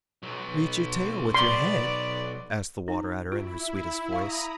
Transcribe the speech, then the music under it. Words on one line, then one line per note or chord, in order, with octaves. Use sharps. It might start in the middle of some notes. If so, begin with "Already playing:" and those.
"Reach your tail with your head?" asked the Water-Adder in her sweetest voice.
B1 F#3
B3 D5 C6
D#4
E4 F4
F5 A#5 B5 C#6 D#6